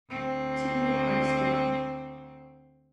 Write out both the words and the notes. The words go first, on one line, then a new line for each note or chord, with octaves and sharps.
Two new parties formed.
D2 C4